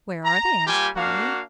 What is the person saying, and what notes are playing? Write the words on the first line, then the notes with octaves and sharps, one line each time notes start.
"Where are they!" asked Polly.
A#5
G3 A#3 F4 G4 G#5
A#3 D4 F#4 F5